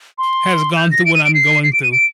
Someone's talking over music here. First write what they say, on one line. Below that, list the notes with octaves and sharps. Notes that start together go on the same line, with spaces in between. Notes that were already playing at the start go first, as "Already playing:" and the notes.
has gone through what I'm going through.
C6
G6
A#6
D7
D#7
D7
C7
C7
D7
D#7
D7